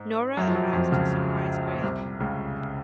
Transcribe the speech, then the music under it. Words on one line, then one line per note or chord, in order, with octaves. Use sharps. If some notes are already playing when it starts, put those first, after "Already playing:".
Nora arrives to surprise Greg.
Already playing: G#2
F#2 F#3
F3
F#2 F#3
F2 F3
C#2 C#3
A#2
C2 C3
C#2 C#3